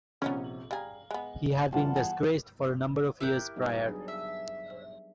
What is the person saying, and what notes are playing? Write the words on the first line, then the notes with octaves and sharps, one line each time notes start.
He had been disgraced for a number of years prior.
A#1 C3 B3 C#4 D#4 A#4
G3 G#4 F5 A#5
G#3 B3
E3 G3 F4 F#5 A5
B3 G#4
E4 G4 A#4 F#6 G6
G3 B3 D#4
F#3 D4 G#4
E5